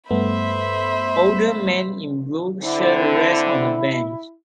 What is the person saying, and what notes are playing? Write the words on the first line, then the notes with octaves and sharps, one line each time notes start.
Older man in blue shirt rest on a bench.
G2 A3 B3 C5 E5 B5
D3 C4 E4